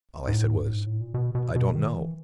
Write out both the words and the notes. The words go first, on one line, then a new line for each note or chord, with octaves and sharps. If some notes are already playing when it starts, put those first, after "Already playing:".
All I said was: "I don't know."
G#2
A2
G2
A2
G#2
A2
A#2
B2
B2
B2
D#3
E3